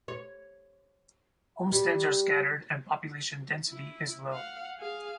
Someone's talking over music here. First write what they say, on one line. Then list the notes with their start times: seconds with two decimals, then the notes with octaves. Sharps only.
Homesteads are scattered and population density is low.
0.08 C#5
1.72 G3
3.69 E4
4.31 F5 F#5
4.78 G#4 F5